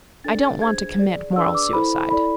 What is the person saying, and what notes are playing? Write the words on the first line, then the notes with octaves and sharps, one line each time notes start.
I don't want to commit moral suicide.
D4 A4 D5 A6
D4 G#4 C5 G#6
G#4 D5
D4 G#4 B4 D5 E6
D6
E4 A4 C5 B5
E4 A4 D5 B5